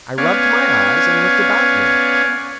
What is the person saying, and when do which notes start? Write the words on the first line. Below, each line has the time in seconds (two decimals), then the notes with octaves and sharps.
I rubbed my eyes, and looked about me.
0.18 B3 C#4 C#5 D5 F5 G#5